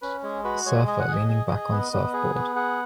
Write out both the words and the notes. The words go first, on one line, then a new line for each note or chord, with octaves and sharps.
Surfer leaning back on surfboard.
C#4 B4
G#3 G#4
F#4 B4
G#3 C#5
G#4 D#5
F#5
G#4 D#5
G#4
G#4
B3
B3
G#4
B3
G#4 F#5